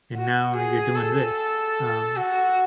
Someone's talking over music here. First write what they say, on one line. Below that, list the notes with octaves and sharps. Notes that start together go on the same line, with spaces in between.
and now you're doing this." Um,
F#4
G#4
A4
F#4